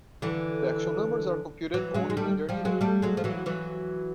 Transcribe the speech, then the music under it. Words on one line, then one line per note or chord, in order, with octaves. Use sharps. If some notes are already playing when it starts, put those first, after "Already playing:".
The actual numbers are computed only when they are needed.
D3 E3
E3 F#3
F#3 G#3
G#3
G3 A3
F3 G3
F#3 G#3
G3 A3
F#3 G#3
F3
E3 F#3
E3 F#3